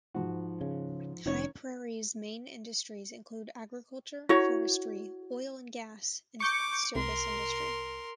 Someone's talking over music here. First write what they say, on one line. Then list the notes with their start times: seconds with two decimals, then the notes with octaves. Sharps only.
High Prairie's main industries include agriculture, forestry, oil and gas, and service industry.
0.14 G#2 F3 F#4
0.61 C#3
1.26 F1 D#3 C#4 C#5
4.29 E4 F#4 C#5
6.40 C#6 D6 G6 C#7
6.95 C2 A#4 C6